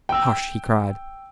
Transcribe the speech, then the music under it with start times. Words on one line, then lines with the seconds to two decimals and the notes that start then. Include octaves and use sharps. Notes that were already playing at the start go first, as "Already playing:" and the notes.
"Hush!" he cried.
0.09 G5 E6